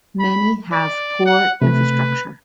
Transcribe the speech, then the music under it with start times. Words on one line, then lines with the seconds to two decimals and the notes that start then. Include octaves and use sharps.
Many have poor infrastructure.
0.19 B5
0.72 D5
1.26 F#5
1.62 C3 A3 B4